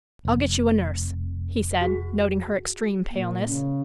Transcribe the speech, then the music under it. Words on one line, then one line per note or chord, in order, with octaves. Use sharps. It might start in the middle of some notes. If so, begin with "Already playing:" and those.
"I'll get you a nurse," he said, noting her extreme paleness.
F1
F#4 G#4
A#2
C#3